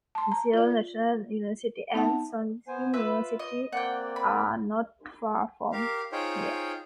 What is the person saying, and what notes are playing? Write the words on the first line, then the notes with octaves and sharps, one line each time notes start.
Seoul National University and Soongsil University are not far from here.
A5 C6
A#5
F4 D5
B3 D#4 E5 F#5 A5
B3 C5 G#5
F4 B4 E5 E6
D#5
A#3 C4 D5 F#5 G5
B5
G4 A#4 F5
D#4 F4 G#4 C5 C#5 G5